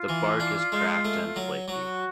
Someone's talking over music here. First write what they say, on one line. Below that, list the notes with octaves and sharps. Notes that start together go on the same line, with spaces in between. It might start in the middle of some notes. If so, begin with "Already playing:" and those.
The bark is cracked and flaky.
Already playing: F4
E3
D4
G#3
A3
F#3
F#3 F#4